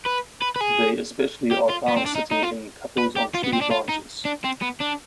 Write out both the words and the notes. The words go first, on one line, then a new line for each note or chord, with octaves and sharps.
They especially are found sitting in couples on tree branches.
B4
B4
B4
G#4
G4
F4
B3
C4
D4
D#4
D#4
F4
B4
G4
F4
B3
C4
D4
F4
D#4
D4
C4
B3
D4